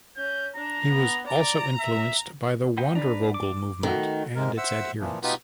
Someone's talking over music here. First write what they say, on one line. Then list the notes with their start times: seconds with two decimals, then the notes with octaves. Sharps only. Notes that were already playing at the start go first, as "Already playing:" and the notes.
He was also influenced by the "Wandervogel" movement and its adherents.
0.17 C#4 G6
0.56 D4 A#5
0.89 B3
1.27 D5 A#5
1.80 E5
2.77 B3 D#4 G5
2.95 D4 B4 A#5
3.34 D6
3.83 D#3 A3 F#4
4.35 G#2 C3 G#3 A#4
4.57 C5 E5 F#5 E6
5.00 A#2 E3 F3
5.23 B2 B3 D#4 F4 G4 B4